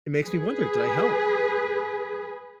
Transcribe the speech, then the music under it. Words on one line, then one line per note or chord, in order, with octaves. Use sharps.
It makes me wonder, "Did I help?"
G#4 B4